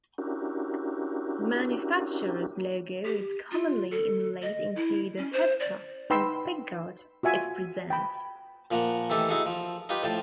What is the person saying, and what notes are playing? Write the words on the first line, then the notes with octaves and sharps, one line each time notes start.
The manufacturer's logo is commonly inlaid into the headstock and pickguard, if present.
C#4 D4 E4 F#4 G4 A#4
G4
F4
A4
D#5
E4
C#4
C5
D5
D#4 B4 G5 B5 C6 E6
F4 F#4 E5 G#5
G5 B5
A#2 F3 A#3 A#4 F#5
D#3 E3 A3 G4 A4
D#4 E4 F#4 G#4 A4
F3
D#4 F4 G4 B4 G5
A2 F3 C5 G5 A5